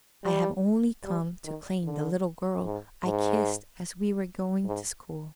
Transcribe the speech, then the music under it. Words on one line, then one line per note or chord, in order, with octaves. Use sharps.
"I have only come to claim the little girl I kissed as we were going to school."
G3
G3
D#3
D3
G#2
G#2
G#2